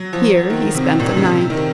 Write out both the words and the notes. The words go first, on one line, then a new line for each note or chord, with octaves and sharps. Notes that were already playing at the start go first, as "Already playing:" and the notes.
Here he spent the night.
Already playing: F#3
F3
D#3
C3
A#2
C#3
C3
D#3